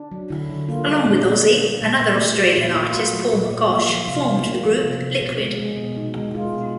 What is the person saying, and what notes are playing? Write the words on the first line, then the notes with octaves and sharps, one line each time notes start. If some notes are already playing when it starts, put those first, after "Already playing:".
Along with Ozzy, another Australian artist, Paul McCosh formed the group Liquid.
Already playing: D4
F#3
D3 E4
D3
A#3 F4
G3
A#2
A#2
A#3
G3
A#2
A#2
A3
F#3
A#2
E4
A#2
F4
A3 F#4
F#3
A#2
A#2
A#3 F4
F3
C3 F4
C3
A#3
F3
C3
C3
B2
G#3
G#3
B2
B2 D#4
G#3
G#3 F4
B2